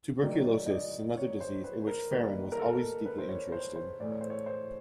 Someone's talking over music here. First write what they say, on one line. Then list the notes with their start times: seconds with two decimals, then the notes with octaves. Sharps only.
Tuberculosis is another disease in which Ferran was always deeply interested.
0.23 D#3 F#3 A3 D5
0.34 C#5
0.45 D5
0.66 D#5
0.70 D5
1.17 C#5
1.41 C5
1.64 B4
1.87 A#4
2.11 D#3 G3 A#3 B4
2.52 A#4
2.59 A4
3.06 B4
3.18 C5
3.29 C#5
3.52 C5
3.76 C5
4.00 A2 E3 A3 D5
4.10 C#5
4.21 C5
4.30 C#5
4.46 C5